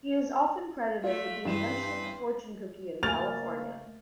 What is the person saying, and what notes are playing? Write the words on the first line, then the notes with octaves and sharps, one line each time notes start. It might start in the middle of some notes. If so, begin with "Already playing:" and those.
He is often credited with the invention of the fortune cookie in California.
A3 F4 E5
G2 E3 B4 C5 E7
C#3 A3 A#3 G#5 F6 A6 F7